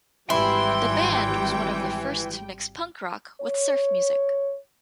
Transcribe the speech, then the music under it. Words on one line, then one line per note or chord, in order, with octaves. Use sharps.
The band was one of the first to mix punk rock with surf music.
G#1 E3 G3 E4 G5 C6
C#5